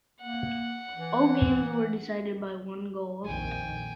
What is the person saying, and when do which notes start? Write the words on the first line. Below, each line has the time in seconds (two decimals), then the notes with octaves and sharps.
All games were decided by one goal.
0.22 A#3 F#5
0.92 E3
3.24 A#1 F2 D#3 G5 G#5